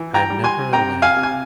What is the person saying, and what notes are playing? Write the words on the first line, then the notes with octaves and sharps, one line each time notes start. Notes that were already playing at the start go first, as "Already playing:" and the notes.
I've never, like-
Already playing: E3
G5 A#5
G3
G#5 C6
C3 G5 A#5
F5 G#5
C3
G#5